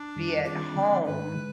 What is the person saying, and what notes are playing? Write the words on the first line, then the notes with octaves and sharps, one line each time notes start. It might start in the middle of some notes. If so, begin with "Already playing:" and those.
be at home,
Already playing: D4
F2 D#3 G3
D#3 G3 C4 D4 F4 G#4
D3 F3 C4
G#2 D#3 G#3 B4
D3 G#3